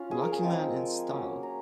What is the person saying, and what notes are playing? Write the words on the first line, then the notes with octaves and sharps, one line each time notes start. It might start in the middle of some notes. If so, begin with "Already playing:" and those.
Luckyman in style.
Already playing: C#4 F4
G#4
A#4
G#5
F3 G#3 C4 F4 G#5
F#3 A#3 C#4
A#5